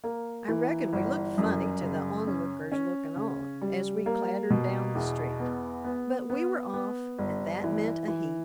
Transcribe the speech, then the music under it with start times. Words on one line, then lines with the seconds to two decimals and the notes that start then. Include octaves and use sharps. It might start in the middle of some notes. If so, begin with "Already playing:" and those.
I reckon we looked funny to the "onlookers looking on" as we clattered down the street; but we were off and that meant a heap.
0.04 A#3
0.48 E3
0.93 G1
1.38 F#2
1.82 C#3
2.27 C#4
2.72 C#4
3.16 C#3
3.61 G3
4.06 A#3
4.50 B2
4.95 E2
5.40 B3
5.84 B3
6.30 B3
6.74 B3
7.19 G1
7.64 E3
8.08 E3